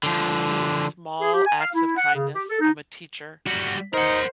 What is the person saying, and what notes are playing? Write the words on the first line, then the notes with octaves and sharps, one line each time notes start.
doing small acts of kindness I'm a teacher,
D3 F3
G#4
G4
G#5
F5
E4
F#5
C#3
G4
A4
D#4
G3 F#4
D#4 A#4 C5 F#5